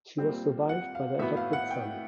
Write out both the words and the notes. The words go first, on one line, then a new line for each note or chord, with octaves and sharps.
She was survived by their adopted son.
A#2 G3 C4
F#5
F5
A2 F#3 B3 E4 E5
F5
F#5
G5